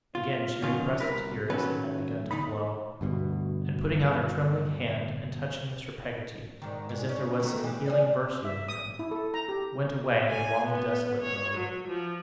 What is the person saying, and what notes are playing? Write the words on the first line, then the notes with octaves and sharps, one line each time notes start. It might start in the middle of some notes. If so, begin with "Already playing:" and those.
Again she repressed the tears that had begun to flow; and, putting out her trembling hand, and touching Mr. Peggotty, as if there was some healing virtue in him, went away along the desolate road.
F4
D2 B2 D#3 F3 C#4 F4
C2 A#4 B4
D#3 F#3 C#4 A4 B4
E2 D3 D#4 B5
D2 G2 B2
G#2 D#3
G#2
C#4
D#3 A3
E3 G4
D4 D#4 G#4
E5
D#6
E4
A4
A#5
G4
G#5
B3
C#5
F#3
F3